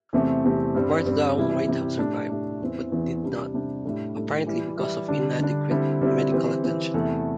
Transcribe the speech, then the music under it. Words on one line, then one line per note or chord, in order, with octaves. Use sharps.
Barthou might have survived, but did not, apparently because of inadequate medical attention.
E2 C3 A3 C4 G4
E2 C3 A3 C4 G4
G2 G3 C4
G2 G3 C4
C3 E3 G3 E4 G4
C3 E3 G3 E4 G4
A2 A3 D4 G4
A2 A3 D4 G4
E2 E3 C4
E2 E3 C4
C3 G3 D4 G4
C3 G3 D4 G4
A2 G3 D4 A4
A2 G3 D4 A4
E3 G3 E4
E3 G3 E4
D3 G3 D4
D3 G3 D4
D3 G3 C4 E4 G4
D3 G3 C4 E4 G4
E3 C4 G4
E3 C4 G4
E2 C3 A3 E4 A4